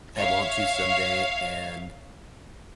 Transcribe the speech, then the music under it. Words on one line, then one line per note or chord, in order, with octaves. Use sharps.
I want to someday, and
C#5 E5 F5